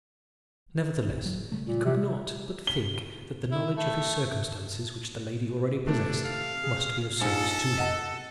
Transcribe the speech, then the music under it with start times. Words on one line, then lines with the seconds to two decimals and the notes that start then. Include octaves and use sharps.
Nevertheless, he could not but think that the knowledge of his circumstances which the lady already possessed, must be of service to him.
1.08 G#1
1.21 F#1 A#2 F#3
1.52 C#3 G3 A3
1.66 A#2
1.85 C3
2.67 G7
3.51 E4
3.77 A3
5.87 C3 A3 D4
6.24 F5
6.63 G#4
7.21 A#1 D#4 A4 C#7
7.77 D#5 F#5 A5